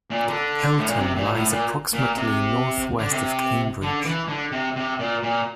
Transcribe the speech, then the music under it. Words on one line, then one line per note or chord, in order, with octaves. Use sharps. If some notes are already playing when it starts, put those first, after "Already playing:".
Hilton lies approximately north-west of Cambridge.
A#2
D3
A2
A#2
C3
A#2
A2
A#2
A#2
C3
D3
C3
D3
E3
D3
C3
C3
A#2
A#2